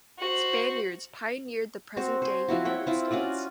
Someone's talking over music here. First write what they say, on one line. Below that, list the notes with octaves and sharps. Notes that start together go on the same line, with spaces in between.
Spaniards pioneered the present-day United States.
F#4 C5
C4 F#4 C5
C5 G#5
F3 C4 E4 F#4
C#5 F#5 G5
C4 E4 F4
C#4 F4 F#4 D5